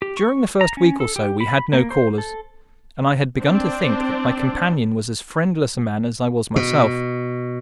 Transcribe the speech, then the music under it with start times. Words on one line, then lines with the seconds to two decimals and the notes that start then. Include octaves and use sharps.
During the first week or so we had no callers, and I had begun to think that my companion was as friendless a man as I was myself.
0.02 G4
0.17 C#6
0.61 A#5
0.77 C#4
1.00 A4
1.16 G4
1.41 B5
1.73 A#3
1.91 C5
2.18 A4
3.39 C4 D4
6.56 B2